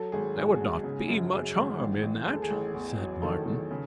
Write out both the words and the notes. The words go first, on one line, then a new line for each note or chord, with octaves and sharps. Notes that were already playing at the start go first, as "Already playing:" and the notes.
"There would not be much harm in that," said Martin.
Already playing: F#3 A4
G#1 G#4
G#2 G#4
F#4
G#4
G#2
C#3
F#2
F#3 G#4
G#1
A1
A1
A1 G#4
A4
G#4
A1
E2
F#3
D#3 A4
D#3
C#3